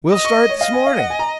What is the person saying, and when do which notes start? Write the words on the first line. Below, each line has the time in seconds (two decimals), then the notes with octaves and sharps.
We'll start this morning.
0.12 D#5 D#6
0.25 C#6
0.49 C#5
0.61 D#5 F5
0.74 G#5
0.86 F5
0.99 F#5
1.10 G#5
1.19 A#5